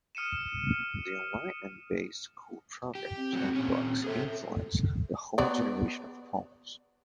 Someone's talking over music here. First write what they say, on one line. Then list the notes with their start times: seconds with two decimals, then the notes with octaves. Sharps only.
The Enlightenment-based school programmes and books influenced the whole generation of Poles.
0.15 D#6 F6 C#7 D#7 E7
2.95 G4
3.17 C4
3.33 F#3 A3 F#4
3.55 A#2 C#4
4.04 G#4 A4 C5 E5
5.38 B3 D5